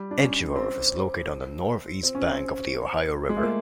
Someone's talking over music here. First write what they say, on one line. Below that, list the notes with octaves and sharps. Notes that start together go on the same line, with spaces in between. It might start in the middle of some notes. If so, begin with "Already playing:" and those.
Edgeworth is located on the northeast bank of the Ohio River.
Already playing: G3
D4
C#4
C4
C4
C#4
C4
G#3
A3
A#3